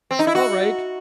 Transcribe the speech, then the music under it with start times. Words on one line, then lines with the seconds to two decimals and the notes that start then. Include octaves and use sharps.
All right.
0.11 C4
0.19 D#4
0.27 E4
0.35 F#4